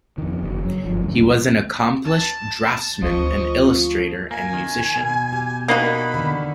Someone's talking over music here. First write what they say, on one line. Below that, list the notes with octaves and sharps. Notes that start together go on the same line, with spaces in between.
He was an accomplished draftsman and illustrator and musician.
F2 D#3
F#1
F#3
G1 F3
D2 G2
A5
D2 F3 D#5 C#6
A#3 G#5
D#3
B2
G4
A#3 D#4 F#4 B5
D3 D#3